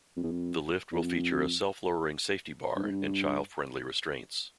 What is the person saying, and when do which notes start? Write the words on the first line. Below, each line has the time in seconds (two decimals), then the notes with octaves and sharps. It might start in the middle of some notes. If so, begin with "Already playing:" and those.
The lift will feature a self lowering safety bar and child friendly restraints.
0.17 F2
0.23 E2
0.31 F2
0.92 E2
1.03 F2
2.76 G2
2.83 G#2
2.90 G2